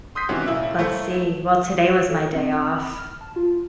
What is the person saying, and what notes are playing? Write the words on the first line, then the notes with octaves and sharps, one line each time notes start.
Let's see, well, today was my day off.
C6 D#6 G6 B6 C7
C3 D#3 E3 B3 C#4 F#4
A#1 A#3 E4 E5
A3 A#3 E4 C5 C#5
A4
C4
B5
F6
A5
F4